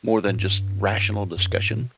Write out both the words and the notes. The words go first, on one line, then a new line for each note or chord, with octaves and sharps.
more than just rational discussion,
A2
G2
F#2
G2
A2
B2